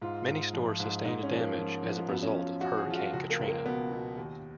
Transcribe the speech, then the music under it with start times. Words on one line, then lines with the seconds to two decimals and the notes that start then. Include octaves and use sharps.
Many stores sustained damage as a result of Hurricane Katrina.
0.02 G#2 F4
0.28 G#2
0.53 F3
0.80 G#2
1.05 G#2 D#4
1.23 C#4
1.31 F3
1.40 A#3
1.58 F3
1.83 F3
2.09 F#2 B3
2.22 C#4
2.35 F3
2.61 F#2 F#4
2.78 G#4
2.87 F3 F4
2.95 F#4
3.13 C#2 F#4
3.30 A#3
3.39 C#2
3.48 A#3
3.65 B2 B3
3.91 B2
4.17 D#2